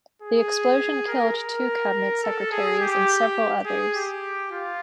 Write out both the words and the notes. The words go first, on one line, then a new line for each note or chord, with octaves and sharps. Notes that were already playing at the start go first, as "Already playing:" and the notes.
The explosion killed two cabinet secretaries and several others.
G#4
A#4
A#4
A4
G#4
G4
G#4
G4
F4